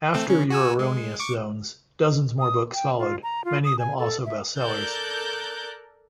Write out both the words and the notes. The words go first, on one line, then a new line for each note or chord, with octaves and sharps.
After "Your Erroneous Zones" dozens more books followed, many of them also best-sellers.
A3 C4 A4
C#3 C#4
F#4 G#5 E6
G#3
C#6 D6
D#6
G5
F4
A#5
F4
D#6
G#5
A4
E5
A4 A#4 D5 F#6 G6 A6